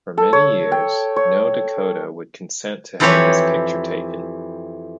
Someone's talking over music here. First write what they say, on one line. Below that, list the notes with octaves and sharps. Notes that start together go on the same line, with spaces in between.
For many years no Dakota would consent to have his picture taken.
A4
C#5
G5
C#5
F2 E3 E4 G4 B4 C#5